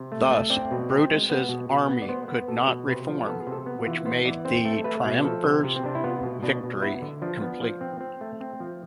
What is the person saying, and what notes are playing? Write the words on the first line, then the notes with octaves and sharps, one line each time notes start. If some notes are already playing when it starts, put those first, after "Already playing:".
Thus, Brutus's army could not reform, which made the triumvirs' victory complete.
Already playing: C3
A3
A3
C4 D5
B2
C4
G#3
B3
B2
B2
B3
D5
B3 C5
B3
B2 A4
B2
C3 B4
F3
B3 A4
G#4
C3
A4
B3
E3 F4
B3 C5
E3 D5
C4 C5
A3
A4
A3 B4
B2
F3 A4
C3
C3
C4
C3 D4
E4
B3 F4
B2
B2 D4
B2
B3 E4
D3
F3 D4
B3
F3
C4
C4
A3
C4
F3